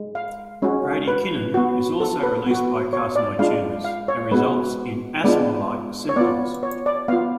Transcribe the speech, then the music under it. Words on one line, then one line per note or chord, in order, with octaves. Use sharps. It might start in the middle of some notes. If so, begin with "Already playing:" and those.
Bradykinin is also released by carcinoid tumors, and results in asthma-like symptoms.
Already playing: G#3
F5
G#3 C#4 F#4
B4
B3 F#4
A4
B4
B3 F#4
C#5
D5
G#3 D4 F4 F5
F5
C#5
G#3 B3 F#4 B4
G#3 B3 D4 F4 D5
C#5
B3 F4 D5
C#5
D5
B3 F4 F5